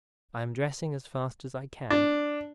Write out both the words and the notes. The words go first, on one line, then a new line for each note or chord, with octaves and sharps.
I am dressing as fast as I can.
D4